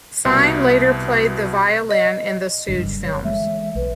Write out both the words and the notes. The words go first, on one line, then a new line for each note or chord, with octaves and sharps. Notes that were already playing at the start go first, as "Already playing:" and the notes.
Fine later played the violin in the Stooge films.
C2 B2
D#5
F#1 G2 D3
C#5
E3 G#3 A3 E5
B1 B4